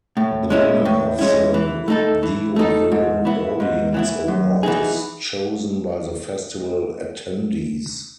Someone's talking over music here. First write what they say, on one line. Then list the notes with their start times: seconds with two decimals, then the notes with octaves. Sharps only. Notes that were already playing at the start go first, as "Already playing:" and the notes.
The winner of the Deauville Audience Award is chosen by the festival attendees.
0.17 A2
0.50 G#3 C#4 E4
0.85 A2
1.19 G#3 C#4 E4
1.54 E3
1.88 A3 D#4 A4
2.23 E3
2.56 A3 D#4 A4
2.92 G#2
3.25 E3 B3 E4
3.60 G#2
3.94 E3 B3 E4
4.28 F#2
4.63 E3 B3 D#4 G#4